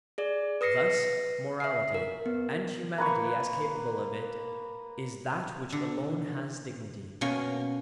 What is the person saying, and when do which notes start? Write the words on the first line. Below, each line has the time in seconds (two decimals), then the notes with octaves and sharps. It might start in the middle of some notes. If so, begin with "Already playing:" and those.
Thus morality, and humanity as capable of it, is that which alone has dignity.
0.18 G#4 D5
0.61 B4 D#6 A#6 C7 C#7
1.60 E5 C7
1.94 A#4
2.26 B3
2.98 A#3 B4 C#6
5.72 D3
7.21 B2 A#3 C#4